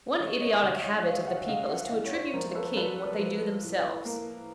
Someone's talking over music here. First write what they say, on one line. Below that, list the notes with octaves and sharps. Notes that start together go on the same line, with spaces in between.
One idiotic habit of the people is to attribute to the king what they do themselves.
E3 C#5 D#5
C#5 D#5
E5
D2 C#5 D#5
E5
C#5 D#5
E5
G#3 D#5 F5
E5 F#5
C#3 D#5 F5
E5 F#5
E2 E5 F#5
C#5
C5 D5
F3 A#4
C5
A4 B4
F3 A4 B4
F3
A2
A#3